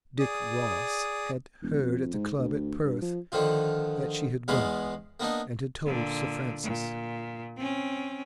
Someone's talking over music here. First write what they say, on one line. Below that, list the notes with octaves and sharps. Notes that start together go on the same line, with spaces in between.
Dick Ross had heard at the club at Perth that she had gone, and had told Sir Francis.
G#4 D5 D#6
E1
F2
G#2
D2
G2
F3
D3 D#3 F3 F4
E2 E3 G#3 B3 F5 B5
A#3 B3 D4 D#4
A#2 D3
A#2
C4 C#4